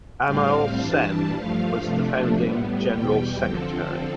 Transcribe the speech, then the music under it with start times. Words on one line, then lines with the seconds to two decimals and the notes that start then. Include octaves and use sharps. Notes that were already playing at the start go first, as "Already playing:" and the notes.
Amal Sen was the founding general secretary.
0.24 A2 G3 C4 F5
0.77 G2 E3 G3 D4 A5
1.31 G2 F3 A3 F5
1.85 C3 F3 A3 D4
2.38 A2 G3 B3
2.91 E2 B2 G3 G5
3.44 D3 F3 C4 A4